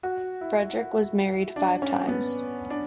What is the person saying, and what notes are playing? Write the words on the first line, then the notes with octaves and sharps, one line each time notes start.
Frederick was married five times.
F#4
E4
D4
C#4
B3
D4